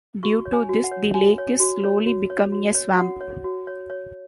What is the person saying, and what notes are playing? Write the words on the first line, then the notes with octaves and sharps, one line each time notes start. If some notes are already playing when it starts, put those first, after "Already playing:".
Due to this, the lake is slowly becoming a swamp.
F#4 C#6
C#5
G#5
F#4
F#5
C#5
F#4 G#5
C#5
F#4
C#5
F#4
C#5
F#4
C#5
F#4 F#5
C#5
F#4
C#5
C#5